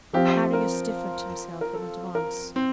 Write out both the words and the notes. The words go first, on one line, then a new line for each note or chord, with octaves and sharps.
Marius stiffened himself in advance.
F3 C4 F4 G4
A#4
A#4
A4
A#4
C4